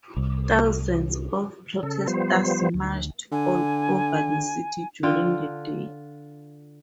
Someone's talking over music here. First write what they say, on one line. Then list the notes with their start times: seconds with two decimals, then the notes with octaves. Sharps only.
Thousands of protesters marched all over the city during the day.
0.17 C2
1.83 C#3 A4
2.07 F3 G3 B3 C5
2.74 D2
3.32 D3 G#5
5.03 D3 F4 G5